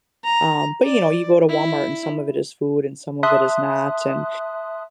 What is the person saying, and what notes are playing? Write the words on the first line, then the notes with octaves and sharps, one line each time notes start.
um, but, you know, you go to Walmart, and some of it is food and some of it is not, and,
A#5
D5
E4
E5 A5 C6 D#6 F#6